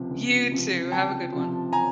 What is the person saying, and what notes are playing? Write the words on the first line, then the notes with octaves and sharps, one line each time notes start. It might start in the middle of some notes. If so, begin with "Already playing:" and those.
You too, have a good one.
Already playing: C#2 C3 F3
C#2
C3 F3
C#2 G5 A5
C3 F3
G#5 A#5